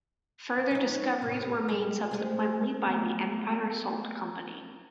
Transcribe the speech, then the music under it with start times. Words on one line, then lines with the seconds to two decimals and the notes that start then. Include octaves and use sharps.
Further discoveries were made subsequently by the Empire Salt Company.
0.71 F#3 D#4
1.22 F#2 A2 C3
1.69 G3
2.11 G#3 A3 C4
2.87 A3 B3